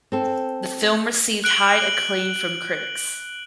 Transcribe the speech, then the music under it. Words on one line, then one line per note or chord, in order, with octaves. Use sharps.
The film received high acclaim from critics.
C4 A4
F#6 D7 F#7 G7